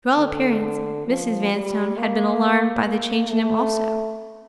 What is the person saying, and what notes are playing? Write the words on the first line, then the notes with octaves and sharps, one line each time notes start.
To all appearance, Mrs. Vanstone had been alarmed by the change in him also.
D3
F3
G3
A#3
A#3
A3